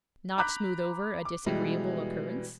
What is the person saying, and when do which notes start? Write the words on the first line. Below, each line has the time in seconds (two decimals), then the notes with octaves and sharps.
'Not smooth over a disagreeable occurrence?'
0.38 A#5 B5 D6 F#6 G6 B6
1.25 D6
1.46 B2 E3 G3 G#3